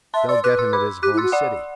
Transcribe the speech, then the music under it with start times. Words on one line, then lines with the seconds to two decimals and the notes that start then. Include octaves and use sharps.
"They'll get him at his home city."
0.14 E5 A5 C6
0.29 D5 C6 E6
0.44 B4 D6 F#6
0.59 C6 E6
0.73 B5 D6
1.03 G4 D6 F#6
1.14 E4
1.18 C6 E6
1.22 F#4
1.32 D5 F#5